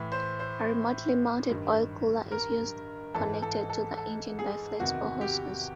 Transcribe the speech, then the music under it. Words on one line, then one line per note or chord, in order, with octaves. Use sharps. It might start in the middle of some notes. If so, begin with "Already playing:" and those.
A remotely mounted oil cooler is used, connected to the engine by flexible hoses.
Already playing: A2 E3 E5
C5
C5
G2 D#3
A#4
G#2 E3 A4
A4
A4
A4
G#4
E2 C3 D#3 F#4
G4